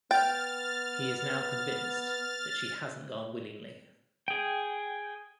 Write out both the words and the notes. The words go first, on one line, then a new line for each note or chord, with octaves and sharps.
He is now convinced that she hasn't gone willingly.
B3 G5 F6 A6
G#4 G5